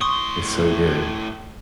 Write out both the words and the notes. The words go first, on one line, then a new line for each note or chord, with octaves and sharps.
it's so good.
A2 C6 C#6 D#6